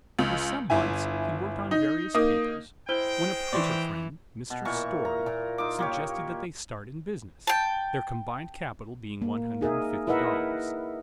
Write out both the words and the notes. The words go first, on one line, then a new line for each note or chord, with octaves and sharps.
For some months he worked on various papers, when a printer friend, Mr. Story, suggested that they start in business, their combined capital being one hundred and fifty dollars.
C#2
G1 E4 G#5
D#4
A#3 D#4 D#6
G#3 E4 C5 G5 G7
E3 D5 C6 C#6
B2
A#2 E3 A#4 C#6
A#5
A#2 A#4
D#4 F4 D6
A#3 G4 C#5
G5 A5
A#3
D#4 G#4 A#4 E5
E4 A#4 B4 D#5 E5 F#5